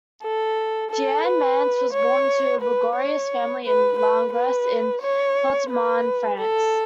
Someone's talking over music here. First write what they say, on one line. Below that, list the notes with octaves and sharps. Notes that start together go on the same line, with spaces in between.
Jeanne Mance was born into a bourgeois family in Langres, in Haute-Marne, France.
A4
A4
B4
C#5
B4
C#5
B4
B4
B4
C#5
B4
A4